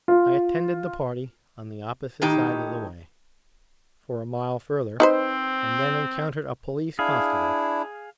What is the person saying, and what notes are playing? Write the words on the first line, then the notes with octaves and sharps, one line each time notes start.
I attended the party, on the opposite side of the way, for a mile further, and then encountered a Police-constable.
F4
A2 D#3 D#4 G4
C4 D#4 B4 C5
D4 E4 G#4 F5